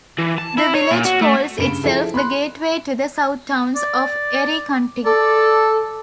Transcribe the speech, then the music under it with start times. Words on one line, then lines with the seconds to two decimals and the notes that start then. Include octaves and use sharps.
The village calls itself the "Gateway to the Southtowns" of Erie County.
0.19 E3
0.38 A5
0.58 E4
0.75 C#5
0.91 A#2
1.05 F#4
1.21 A3
1.58 G2 C#3 B5 D7 E7 G7
1.84 F3 E4 G#4 A4
2.14 B5 C6 F#6
3.75 D5
5.05 A4 D5